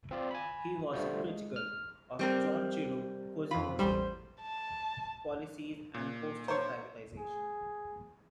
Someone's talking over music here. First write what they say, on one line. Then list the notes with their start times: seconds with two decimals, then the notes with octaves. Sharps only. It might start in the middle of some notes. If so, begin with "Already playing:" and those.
He was critical of Junichiro Koizumi's policies and postal privatization.
0.11 C4 F4 D5
0.31 G#5 B5
0.93 D3 G3 A3 F4 C5
1.27 G#3
1.56 F6
2.19 G3 C4 A#4
3.51 F2 F4 B5
3.79 A1 E2 G3 C5
4.42 A5
5.94 A#2
6.48 C5 C#5
7.18 G#4